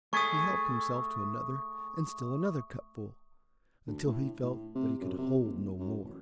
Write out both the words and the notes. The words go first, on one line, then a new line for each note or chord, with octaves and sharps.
He helped himself to another and still another cupful, until he felt that he could hold no more.
A3 G#4 C#6 D#6
D2
A2
A2
C3
F#2
C3
D#1
F#2
A1